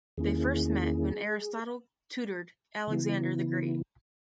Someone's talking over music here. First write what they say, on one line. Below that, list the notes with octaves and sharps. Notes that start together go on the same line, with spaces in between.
They first met when Aristotle tutored Alexander the Great.
E2 D#3 A#3 C#4 E4 G#4
C#3 E3 B3 E4